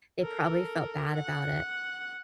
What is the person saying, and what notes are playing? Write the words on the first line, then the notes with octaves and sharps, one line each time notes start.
they probably felt bad about it.
A4 A#4
F#5